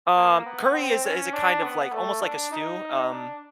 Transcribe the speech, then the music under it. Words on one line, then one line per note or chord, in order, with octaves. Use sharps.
Um, curry is a is a kind of, like, almost, like, a stew, um
A#3
B3
C4
C#4
D4
B3
A3
D4
D#4
D4